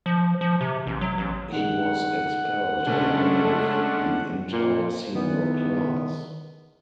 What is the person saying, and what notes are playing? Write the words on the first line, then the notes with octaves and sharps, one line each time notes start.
He was expelled, along with the entire senior class.
F3
F3
C3
A1
F#3
A1
D#3 G#3 F#5
C#3 G#3 A3 C#4 D4
A#2
E2 D#3 B3